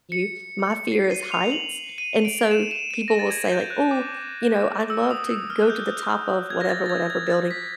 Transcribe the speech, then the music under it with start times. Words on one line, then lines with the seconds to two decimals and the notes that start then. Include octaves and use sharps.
you. My fear is heights, and so people will say like, "Ooh, you know, I'd love to go to the top of whatever whatever building,"
0.12 C#7
0.92 C7
1.11 D#7
1.32 F7
1.52 F#7
1.98 D#7
2.25 D7
2.51 E7
2.71 E7
2.91 D#7
3.08 A#6
3.19 A6
3.30 G#6
3.52 G6
3.70 F#6
3.91 D6
4.90 E6
5.11 D#6
5.31 E6
5.50 F6
5.62 F#6
5.70 G6
6.50 G#6
6.61 A#6
6.70 A6
6.86 A6
6.90 G#6
7.10 G#6
7.30 A6
7.51 B6